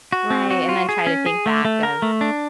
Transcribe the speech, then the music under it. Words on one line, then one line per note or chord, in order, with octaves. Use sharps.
Right, and then try to think back of,
F#4
C4
F#4
F4
G#4
C#4
G#4
A3
A3
A#4
A3
D4